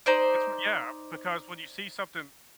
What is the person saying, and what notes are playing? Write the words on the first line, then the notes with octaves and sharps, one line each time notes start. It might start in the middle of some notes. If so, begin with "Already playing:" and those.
That's what yeah, because when you see something
D#4 C5 D5